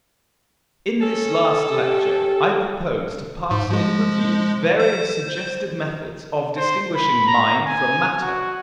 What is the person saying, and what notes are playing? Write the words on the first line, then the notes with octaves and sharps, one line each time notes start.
In this last lecture I propose to pass in review various suggested methods of distinguishing mind from matter.
C#4 A4
G4
G#2
F3 G#3
C5
C5
B5
A#5
G#5
F#4